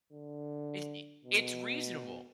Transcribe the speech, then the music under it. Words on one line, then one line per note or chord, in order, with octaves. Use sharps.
It's i it's reasonable,
D3
B2